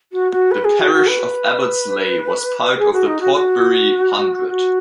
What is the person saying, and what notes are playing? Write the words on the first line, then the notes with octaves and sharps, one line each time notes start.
The parish of Abbots Leigh was part of the Portbury Hundred.
F#4
F#4
B4
G#4
F#4
F#4
B4
G#4
F#4
D#4
F#4
F#4
F#4